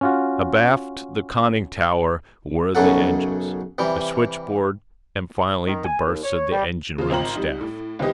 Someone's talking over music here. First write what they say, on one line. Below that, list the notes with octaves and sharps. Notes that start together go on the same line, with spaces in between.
Abaft the conning-tower were the engines, a switchboard, and finally the berths of the engine-room staff.
C#4 F4 F#4
B1 F#2 C#3 F#3 A4 F#5
C3 E3 G3
D#3
G#5
D#2
C#5
G3
C#3 F3 F4
G#1 C4 F4 A#5 F#7
G3 D#4
A2
C2 D#3 B3 C4 G4 D#5